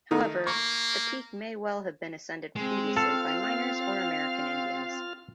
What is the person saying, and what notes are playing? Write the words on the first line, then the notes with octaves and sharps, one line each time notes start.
However, the peak may well have been ascended previously by miners or American Indians.
D#3 A3 D#4
A#3 C#6
G#3 C4
F4 A4 F5 F6